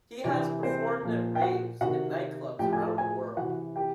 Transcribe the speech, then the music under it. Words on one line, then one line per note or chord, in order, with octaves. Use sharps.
He has performed at raves and nightclubs around the world.
C3 E3 D4 D5
C4 C5
A#2 F3
G5
F#4 F#5
C3 D#3 F#4 F#5
A2 F3 G4 G5
G#4 G#5
A4 A5
G#4 G#5
C3 E3 F#4 F#5
G4 G5